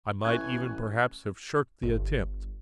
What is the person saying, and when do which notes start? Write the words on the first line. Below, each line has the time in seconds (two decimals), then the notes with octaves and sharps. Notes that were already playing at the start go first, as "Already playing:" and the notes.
I might even perhaps have shirked the attempt.
0.25 A1 E3 G#5 C#6 F#6
1.83 G1